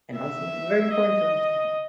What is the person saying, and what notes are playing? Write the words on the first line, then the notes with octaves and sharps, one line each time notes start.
and honestly, it's very important to understand that,
E5
D#5